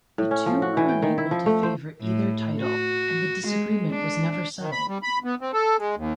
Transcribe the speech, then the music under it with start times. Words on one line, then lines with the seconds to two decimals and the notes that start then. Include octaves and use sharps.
The two were unable to favor either title, and the disagreement was never settled.
0.18 A2
0.31 C#4
0.46 F3
0.62 F#4
0.77 E3
0.89 G5
1.03 D#3
1.18 E4
1.31 F3
1.46 A3
1.63 C5
2.01 A2
2.61 F#4
3.48 G#3
3.91 D4
4.60 D#3
4.72 B5
4.88 G3
5.03 B5
5.24 B3
5.41 C4
5.53 A4
5.78 G#3
5.97 D#2